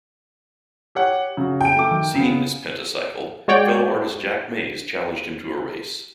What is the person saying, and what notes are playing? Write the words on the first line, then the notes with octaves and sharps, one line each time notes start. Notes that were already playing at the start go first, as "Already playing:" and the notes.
Seeing this "Pentacycle," fellow artist Jack Mays challenged him to a race.
G4 C#5 F#5
C#3 F#4
G5 D7
A3 D6
D#3
C#3 B3
G#3 F#4 C#5 D5 G5